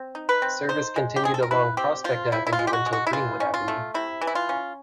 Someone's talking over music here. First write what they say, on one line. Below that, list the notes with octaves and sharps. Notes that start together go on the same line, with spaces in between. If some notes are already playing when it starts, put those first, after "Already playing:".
Service continued along Prospect Avenue until Greenwood Avenue.
Already playing: C4
D#4
B4
C4
D#4 C5
G#3
G4
C4 G#4
A4
A#4
E4 B4
C4 G4
F3 F4
F3 E4
E4
F4
G#3
G4
F#4
G#3
F#4
E4
E3 F4
C#4
F4
A3
C3 E4
E3
E4
F4
C#4